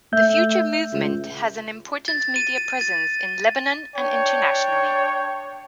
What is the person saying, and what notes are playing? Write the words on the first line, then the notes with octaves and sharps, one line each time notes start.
The future Movement has an important media presence in Lebanon and internationally.
A3 E5 G6
C#2
A6
D#7
D#7
A6
D4 C#5 G5